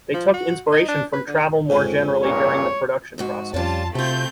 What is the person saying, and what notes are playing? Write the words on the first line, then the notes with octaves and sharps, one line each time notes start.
They took inspiration from travel more generally during the production process.
F3
F#4
D#4
D4
B4
D3
F2 G#2 C#4
C#2 G2 A#2 C#5
F2 G#2 F#4
F2 G3 C#4 F4 A5
C3 A3 C4 F4 F#4 G6